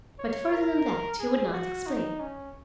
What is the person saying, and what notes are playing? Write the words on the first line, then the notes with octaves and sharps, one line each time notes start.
But further than that he would not explain.
C#5
A#4
G#4
F#4
D#4
C#4